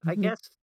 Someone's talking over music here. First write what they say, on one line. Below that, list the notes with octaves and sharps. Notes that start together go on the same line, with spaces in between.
I guess
E3
G#3
F#3